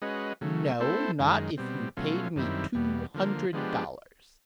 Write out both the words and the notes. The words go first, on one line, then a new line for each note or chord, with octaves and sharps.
"No, not if you paid me two hundred dollars."
G#3 C#4 F#4 B4 D#5
C#3 F#3 A3
A3 C4 E4 A4 C5
F#2 D#3 G#3
B2 G3 C4
B2 F#3 A3 C#4 F4
F#2 D#3 G3 C4 E4
E2 B2 G3
D3 F3 A#3
F3 G#3 B3 D4 G4